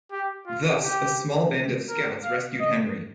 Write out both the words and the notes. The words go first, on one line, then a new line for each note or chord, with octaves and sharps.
Thus a small band of scouts rescued Henry.
G4
F4
G4
A#4
F5
D#5